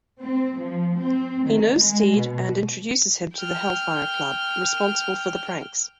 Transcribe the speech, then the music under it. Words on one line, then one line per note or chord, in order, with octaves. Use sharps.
He knows Steed and introduces him to the Hellfire Club, responsible for the pranks.
C4
F3
C4
D#3
G#3
B2
G5 F6